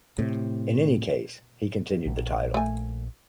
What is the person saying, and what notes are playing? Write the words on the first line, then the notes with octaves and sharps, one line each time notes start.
In any case, he continued the title.
A2 C3
A#1
A3 G#5